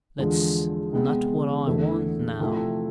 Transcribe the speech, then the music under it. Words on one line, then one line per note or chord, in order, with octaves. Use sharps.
That's not what I want now.
E2 D3 F3 G#3
C3 G#3 B3
E2 D3 A3 E4
C3 F3 A3 E4